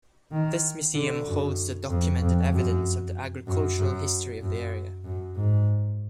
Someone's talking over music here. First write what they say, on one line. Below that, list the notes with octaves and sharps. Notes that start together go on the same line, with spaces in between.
This Museum holds the documented evidence of the agricultural history of the area.
D#3
D3
F#2
F2
F2
F#2
F#2
F#2
F#2
F#2
G#2